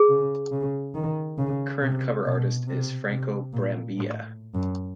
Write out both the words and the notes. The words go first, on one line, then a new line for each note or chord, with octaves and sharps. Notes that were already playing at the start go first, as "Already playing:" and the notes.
Current cover artist is Franco Brambilla.
Already playing: G#4
C#3
C#3
D#3
C#3
C3
B2
C3
C3
A#2
A2
F#2